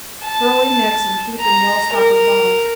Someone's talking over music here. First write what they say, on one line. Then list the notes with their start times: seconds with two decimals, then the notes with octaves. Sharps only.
Thoroughly mix and keep in well stoppered bottle.
0.23 A5
1.40 A#5
1.93 A#4